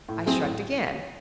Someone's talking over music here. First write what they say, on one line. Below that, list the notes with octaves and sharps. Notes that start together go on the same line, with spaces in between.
I shrugged again.
A2
F#3 C4 E4 G#4
A2